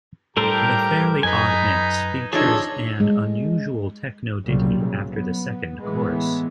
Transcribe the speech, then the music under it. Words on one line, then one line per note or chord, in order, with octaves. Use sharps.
The "Fairly Odd Mix" features an unusual techno ditty after the second chorus.
A2 G3 G4 A4 A#4 C5 A#5
F#2 D#4 B4 G#5
F3 D4 D#4 G#4 A4 C#5
G#3
C2 A#2 C#3 F#3 G3
B1 C#3 F#3
B3
A2 E3 G#3 B3